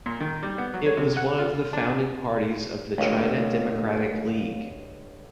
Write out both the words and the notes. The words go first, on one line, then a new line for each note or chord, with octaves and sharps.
It was one of the founding parties of the China Democratic League.
A#2
D#3
G3
B3
F#3
C#5
C3
F#5
F4
D4
G1 C#2 A3 A#3 F#4